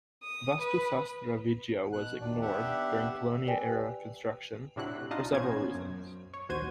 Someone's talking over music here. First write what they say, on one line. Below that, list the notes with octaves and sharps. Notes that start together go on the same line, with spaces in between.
Vastu sastra vidya was ignored, during colonial era construction, for several reasons.
D#6
B4
B2 F#6
D#2 D#3 D4 D5
B3 D4 G4 E5 F#5
G4 B4 D5 G5 G#5
A2 C3 D4 E4 F#4 F#6
D4 D#4 F4 D#5 A5
A1 A#2 B3 C#4 C5 G#6
F#2
C#5
A#1 D#2 F#4 C5 G#6 D#7